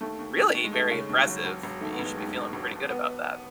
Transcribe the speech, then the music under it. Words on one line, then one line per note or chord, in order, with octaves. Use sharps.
really very impressive. You should be feeling pretty good about that.
D#2 A3
D#2
D#2
D#2
G#3
D#2 A3
C#3
D#2
F#3
E1
E1
D#3 A3
B3
E1
G#3
D#2
E1
E1
E1
B3